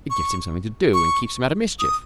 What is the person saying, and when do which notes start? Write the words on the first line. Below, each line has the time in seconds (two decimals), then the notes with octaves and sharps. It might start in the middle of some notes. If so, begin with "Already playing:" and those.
It gives him something to do and keeps him out of mischief.
0.10 C#6
0.94 C#6
1.79 D#6